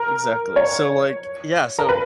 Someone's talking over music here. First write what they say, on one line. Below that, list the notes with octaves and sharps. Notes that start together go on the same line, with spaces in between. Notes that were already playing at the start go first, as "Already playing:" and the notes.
Exactly so like yeah, so
Already playing: A#4
C#5
A#4
B4